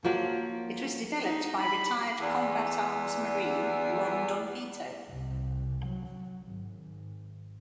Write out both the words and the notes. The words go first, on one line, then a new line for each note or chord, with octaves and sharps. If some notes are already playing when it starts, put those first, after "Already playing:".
It was developed by retired combat-arms Marine Ron Donvito.
F3 F#3 A#3
D#4
B5
E2 D5
C2
F#3
G#1